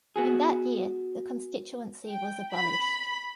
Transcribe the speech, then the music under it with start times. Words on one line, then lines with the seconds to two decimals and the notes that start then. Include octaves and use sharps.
In that year the constituency was abolished.
0.16 B3 F#4 G#4
2.07 G5
2.53 B5